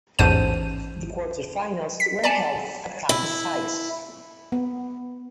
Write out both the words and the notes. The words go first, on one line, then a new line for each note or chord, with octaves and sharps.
The quarterfinals were held at campus sites.
A1 E2 G#2 C5 A5 D#7
B6
D5 G#5 A5
E4
B3